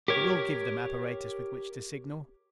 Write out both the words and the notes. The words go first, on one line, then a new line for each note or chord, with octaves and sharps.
"You will give them apparatus with which to signal?"
G4 A#4 C#5